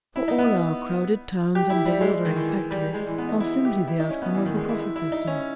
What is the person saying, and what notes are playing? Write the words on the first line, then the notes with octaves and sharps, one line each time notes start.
For all our crowded towns and bewildering factories are simply the outcome of the profit system.
E4
D#4
B3
G4
E4
G3
G#3
D#3
E3
E3
G3
G#3
E3
B3
D#4
E4
G4
E4
D#4
C#4
B3
E3
D#3
G#3
E4
E4
E4
D#4
C#4